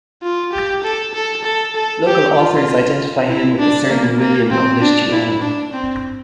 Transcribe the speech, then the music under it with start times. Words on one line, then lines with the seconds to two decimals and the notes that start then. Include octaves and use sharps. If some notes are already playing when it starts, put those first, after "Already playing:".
Local authors identify him with a certain William of Lisciano.
0.22 F4
0.52 G4
0.84 A4
1.14 A4
1.44 A4
1.75 A4
2.06 G4
2.36 F4
3.28 E4
3.58 D4
3.89 A#3
4.20 A#3
4.50 C4
4.81 D4
5.11 E4
5.42 D4
5.73 C4